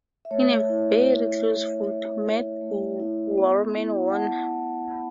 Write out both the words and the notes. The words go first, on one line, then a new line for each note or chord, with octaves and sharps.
In a very close vote, Matt Warman won.
E5
A3 C#5
E4
A3
E4
A3 E5
E4
A3
E4
B3
E4
F#5
B3 A5
E4
B3 B5